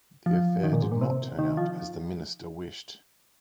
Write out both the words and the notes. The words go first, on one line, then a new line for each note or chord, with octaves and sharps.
The affair did not turn out as the minister wished.
F3
D#3
A#2
G#2
A#2
C3
D#3
F3